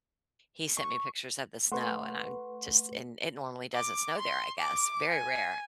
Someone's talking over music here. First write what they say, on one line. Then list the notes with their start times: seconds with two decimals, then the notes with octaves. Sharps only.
he sent me pictures of the snow and I'm just and it normally doesn't snow there, I guess, very rare.
0.77 C#6
1.72 A3 B4 F#5 C6 C#6
3.74 D6
4.19 C6
4.59 D6
5.10 G#5